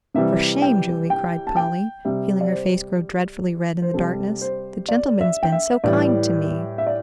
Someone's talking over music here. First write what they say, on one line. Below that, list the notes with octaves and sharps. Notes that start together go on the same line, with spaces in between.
"For shame, Joey!" cried Polly, feeling her face grow dreadfully red in the darkness, "the gentleman's been so kind to me!"
C3 E3 G3 E5
G5
G5
A5
G5
C3 G3 E5
D5
C5
C5
C3 G3 A4
C5
D5
E5
G5
E5
A2 E3 G3 D5
E5
D5